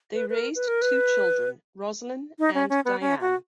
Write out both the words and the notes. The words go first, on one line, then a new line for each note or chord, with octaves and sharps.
They raised two children, Roslyn and Diane.
B4
B4
A#4
B4
A#4
B4
D#4
C#4
C#4
B3
C#4
F#4